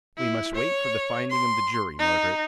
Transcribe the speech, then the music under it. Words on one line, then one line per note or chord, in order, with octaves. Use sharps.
"We must wait for the finding of the jury, Margaret."
E4
C#5
C6
D#4